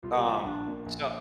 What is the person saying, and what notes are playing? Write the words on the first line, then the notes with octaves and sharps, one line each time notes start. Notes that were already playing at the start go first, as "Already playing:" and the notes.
Um, so
C2 F4
A#4
G4
A#2 F3
F4
A#1 D4
A#2 A#3
A#1